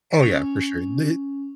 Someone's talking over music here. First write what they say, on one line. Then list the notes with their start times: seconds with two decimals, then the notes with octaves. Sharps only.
Oh, yeah, for sure. The
0.23 C#4